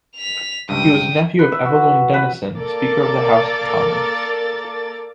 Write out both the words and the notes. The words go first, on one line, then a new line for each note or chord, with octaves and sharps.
He was nephew of Evelyn Denison, Speaker of the House of Commons.
B6 F7
C#2 G2 G5 D#6
B4
E5
F#4
B4
A#3 A4 A#4 D5 D6 A6